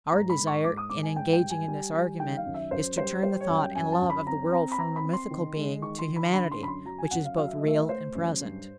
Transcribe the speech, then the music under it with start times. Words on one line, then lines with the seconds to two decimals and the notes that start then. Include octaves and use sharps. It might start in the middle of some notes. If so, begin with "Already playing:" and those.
Our desire, in engaging in this argument, is to turn the thought and love of the world from a mythical being, to humanity, which is both real and present.
0.13 G#2 A#5
0.30 B5
0.38 G#2
0.47 C#6
0.64 G#2 D6
0.77 D#6
0.90 G#2 D6
1.03 G#5
1.16 G#2 G5
1.33 G5
1.41 G3
1.50 G#5
1.68 G3
1.93 G3
2.20 D#3 G5
2.37 F5
2.45 F#2
2.54 E5
2.71 F#2 C5
2.97 G3 C5
3.23 G3 C5
3.41 C#5
3.49 F#2
3.58 G5
3.75 F#2 G#5
3.92 A5
4.01 F#2
4.10 B5
4.27 C4 A#5
4.52 C4 A#5
4.72 B5
4.78 C4 A#5
4.96 B5
5.04 C4
5.13 C6
5.31 D#3
5.56 G#3
5.82 D#3 C#6
5.99 C6
6.08 D#3
6.16 B5
6.34 D3 B5
6.51 C6
6.60 F#2 B5
6.68 C6
6.85 F#3 A#5
6.98 G#5
7.11 F#2 F#5
7.25 F5
7.37 F#3 F5
7.48 E5
7.58 D#5
7.63 A3 E5
7.89 A3 C5
8.15 F#2
8.40 G2